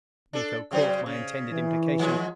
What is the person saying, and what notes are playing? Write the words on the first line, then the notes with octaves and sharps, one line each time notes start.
Miko caught my intended implication.
D4 A4
C#3 F#3 C5
C#3
E3
F3 G#3